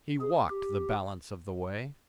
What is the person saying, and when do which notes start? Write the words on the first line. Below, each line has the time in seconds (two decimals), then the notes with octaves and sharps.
He walked the balance of the way.
0.21 G#4
0.49 G4